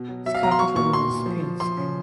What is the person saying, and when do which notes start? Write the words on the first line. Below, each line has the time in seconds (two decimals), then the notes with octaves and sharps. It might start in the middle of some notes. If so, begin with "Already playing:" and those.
Its capital was Pinsk.
Already playing: B2
0.09 F#3
0.26 F#3 E5
0.35 F5
0.42 B2 A#5
0.51 C6
0.59 F#3 C#6
0.76 A#2 C#6
0.93 A#2 C6
1.10 A#2
1.26 F3
1.43 F3
1.60 F3 C6
1.77 C#3